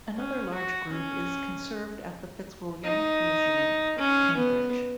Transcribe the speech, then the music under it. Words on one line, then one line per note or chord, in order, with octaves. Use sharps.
Another large group is conserved at the Fitzwilliam Museum, Cambridge.
C#4
F#4
C#4
D#4
C#4
B3